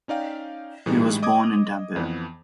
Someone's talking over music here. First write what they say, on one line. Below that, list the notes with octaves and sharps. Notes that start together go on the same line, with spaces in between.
He was born in Tampere.
C#4 D#4 D5 F5 G5
A2 E3 G3 D4 D#4 G#4
D#5 D6 D#6 G#6
F2 E3 B3